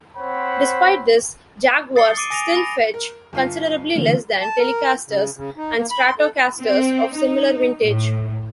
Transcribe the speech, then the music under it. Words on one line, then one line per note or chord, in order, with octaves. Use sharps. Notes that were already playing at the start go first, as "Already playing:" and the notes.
Despite this, Jaguars still fetch considerably less than Telecasters and Stratocasters of similar vintage.
C4 C5 C#5 F#5 B5
D#6 A6 C7 C#7 G7
D6 C7 D7 D#7
G#5 D#6 A#6 D7 D#7 F7
B5 A#6 F7
A#4
G1 F4 C7
D3 E3 A3 A#3 C4 F4
A5
A#4
C#3
C#3
D#4
A#3
B5
C6
A4
C4
D#4
A2